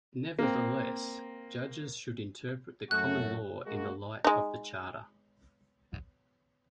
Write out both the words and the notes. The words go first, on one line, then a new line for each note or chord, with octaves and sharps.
Nevertheless, judges should interpret the common law in the light of the Charter.
A#3 C4
F#2 A3 F#4 F#6
G#3 A#3 F#4
G#3 D#4